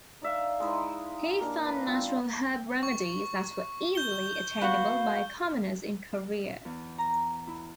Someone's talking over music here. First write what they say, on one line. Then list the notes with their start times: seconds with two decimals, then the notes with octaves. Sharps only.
He found natural herb remedies that were easily attainable by commoners in Korea.
0.22 D#4 D5 E5 F5
0.60 G#3 D#4 E4
1.41 A#3 D4
1.65 B4
1.86 C4 F4
2.83 C#6
3.95 G6 G7
4.61 B3 F#4 F5 F#5
6.65 E2
6.98 A#5
7.47 E4